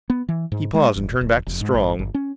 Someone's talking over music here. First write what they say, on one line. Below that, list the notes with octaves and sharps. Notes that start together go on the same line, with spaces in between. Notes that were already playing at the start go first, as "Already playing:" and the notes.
He paused and turned back to Strong.
B3
E3
G#2
G#3
E1
D1
F1
G#2
G#1
G1
C#4